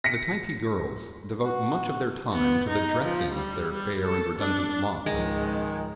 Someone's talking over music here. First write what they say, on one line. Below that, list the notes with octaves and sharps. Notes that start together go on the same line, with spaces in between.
The Typee girls devote much of their time to the dressing of their fair and redundant locks.
A#6 B6 C#7
F#4
B3
D#4
F3
G3
G3
A4
D4
C#2 G#2 D#3 F3 G#3